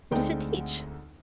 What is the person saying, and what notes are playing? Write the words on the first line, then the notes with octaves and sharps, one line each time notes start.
What does it teach?
D2 D3 G#3 C4 D#4 G5